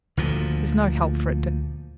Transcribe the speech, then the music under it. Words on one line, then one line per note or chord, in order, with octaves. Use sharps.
There's no help for it, Dick.
D2 A#2 F3